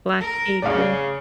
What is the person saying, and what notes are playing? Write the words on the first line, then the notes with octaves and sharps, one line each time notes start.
Black tea, green
A#4
C#3 D5 F5